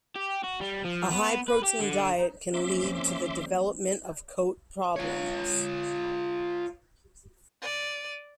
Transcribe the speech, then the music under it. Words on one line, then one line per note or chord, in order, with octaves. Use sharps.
A high protein diet can lead to the development of coat problems.
G4
F#4
G3
F3
B3
B4
G4
D3
F2 A#3 C4 C#4 E5 C6 D6
F4 C#5
D5 D#7